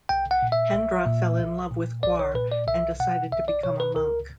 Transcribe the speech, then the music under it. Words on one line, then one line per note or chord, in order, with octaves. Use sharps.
Hendra fell in love with Quarr and decided to become a monk.
B1 G5
F#5
A#2
E5
B1
A#2
B1
A#2
B1 D5
C#5
A#2 B4
D5
B1 E5
B2 F#5
B1 E5
D5
B2 C#5
B4
C#2 A#4